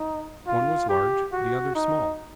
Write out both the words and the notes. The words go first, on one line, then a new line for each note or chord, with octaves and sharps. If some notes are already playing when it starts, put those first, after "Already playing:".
One was large, the other small.
Already playing: D#4
F4
G4
F#4
D#4